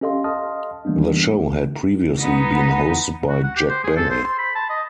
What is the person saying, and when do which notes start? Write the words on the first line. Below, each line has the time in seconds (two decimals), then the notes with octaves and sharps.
The show had previously been hosted by Jack Benny.
0.01 C#4 G4 A4 D#5 F5 C6
0.24 D#5 F5 A5 C6 D#6 F6
0.85 E3 G3 A#3 B3 D4
2.19 B3 D#4
3.29 F#4
3.44 F#5
3.56 G4
3.69 C5
3.84 G#4
3.97 A4
4.10 C5
4.24 C6
4.39 B5
4.55 A5
4.70 D#5